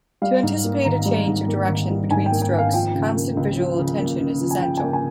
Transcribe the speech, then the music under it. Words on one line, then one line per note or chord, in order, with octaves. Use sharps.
To anticipate a change of direction between strokes constant visual attention is essential.
G3 F5
G#2
A#3
G#1 A#5
G3
G#2
A#3
G#1
G3
G#2 G#5
G5
A#3
G5
G#1
F5
F3 G5
C#3
A#3
C#2
F3
C#3
A#3
C#2
F3
G#5
C#3 G5
G#5
A#3
G#5